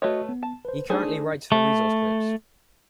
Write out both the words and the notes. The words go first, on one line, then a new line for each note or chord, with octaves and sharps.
He currently writes for Resource Clips.
A3 F#4 B4 C#5 D#5
B3
A5
B4 C5
A3 D4 D#4 G#4 C5 D5
A3